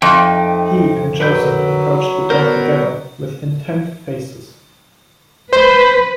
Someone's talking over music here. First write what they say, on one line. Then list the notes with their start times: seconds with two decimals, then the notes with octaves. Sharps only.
He and Joseph approached the door together, with intent faces.
0.02 F2 D#4 E5 G5
1.20 D3 F#3 A#4 B4 G6
2.30 B3 A#4 C5
5.53 B4 C5